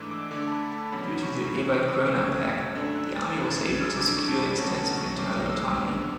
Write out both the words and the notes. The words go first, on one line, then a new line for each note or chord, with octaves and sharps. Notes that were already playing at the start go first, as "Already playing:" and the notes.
Due to the Ebert-Groener-Pact the army was able to secure extensive internal autonomy.
Already playing: G#2 E3 A3 D4 D6 E6 G#6
D6
D3 A3 D4 D6
A5
B5
A5
E2 B2 F#3 C#4 B5
C#6
C#3 E3 B3 C#6
D6
E6
B2 A3 C#4 G#6
G#6
F#6
E6
F#2 D3 A3 D4 E6
F#6
A6
A6
F#2 C#3 E3 G#6
A6
G#6
E6
E2 D3 G#3 D4 D6
C#6
A5
B5
B2 F#3 A3 C#4 A5
A5
C#6
A2 F#3 C#4 D6
E6
B2 G#3 B3 D4